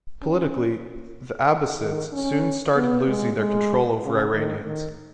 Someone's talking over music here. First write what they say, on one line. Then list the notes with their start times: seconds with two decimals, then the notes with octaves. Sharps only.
Politically, the Abbasids soon started losing their control over Iranians.
0.23 C#4
1.81 D#3
2.13 C#4
2.76 B3
3.07 G#3
3.39 G#3
4.03 C#3
4.33 D#3
4.66 D#3